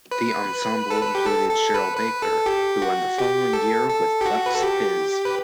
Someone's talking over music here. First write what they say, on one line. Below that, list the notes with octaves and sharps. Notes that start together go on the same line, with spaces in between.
The ensemble included Cheryl Baker, who won the following year with Bucks Fizz.
B4
A4
B4
G4
A4
A4
B4
B4
A4
G4
F#4
G4
A4
A4
G4
F#4
B4
A4
G4
B4